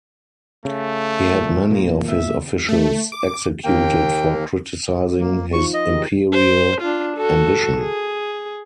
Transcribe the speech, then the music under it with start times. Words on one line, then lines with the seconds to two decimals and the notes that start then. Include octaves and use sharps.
He had many of his officials executed for criticizing his imperial ambition.
0.65 C#3 A3
1.34 G#1 A#2
1.70 B1 A#2 A#3
2.08 E5
2.69 A3
3.12 D6
3.64 D#2 A#3 G5
5.20 F3 A#3
5.53 D#4 F4 C5 C#6
5.74 D#5
5.89 G4 G#4 A#4
6.33 C5
6.82 D4 F4
7.17 F#4 A4
7.80 G#4